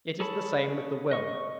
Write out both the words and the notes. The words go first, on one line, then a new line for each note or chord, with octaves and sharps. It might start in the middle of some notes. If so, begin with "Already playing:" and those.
It is the same with the will.
G#4 A4 C#5 A5 B5
D#5 C#6